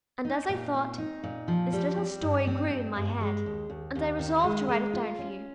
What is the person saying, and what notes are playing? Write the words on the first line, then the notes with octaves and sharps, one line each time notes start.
And as I thought, this little story grew in my head, and I resolved to write it down for you.
D#4
A#2
C4
D#4
A#2
F3
G3
C4
G2
C4
G2
G2
G#3
D#2
D#2
D#2
D#3
G#3
G#3
F4
C#4